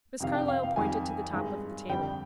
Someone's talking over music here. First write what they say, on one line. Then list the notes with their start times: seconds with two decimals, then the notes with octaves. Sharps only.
Miss Carlyle pointed to the top of the table.
0.20 F2 C3 D#3 F5
0.35 G5
0.48 F5
0.63 F5
0.76 F2 D#3 G3 G#5
1.33 G2 D#3 G#3
1.89 F2 D3 G3 G5